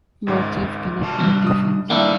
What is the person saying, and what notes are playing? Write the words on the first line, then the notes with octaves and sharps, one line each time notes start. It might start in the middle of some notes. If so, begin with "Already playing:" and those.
Motive cannot be a defense.
G#1 C#2 G#2
C3 F#4 A5
E2 G2
D#6
G2 D#3 A#3 D4 E4 F5 G5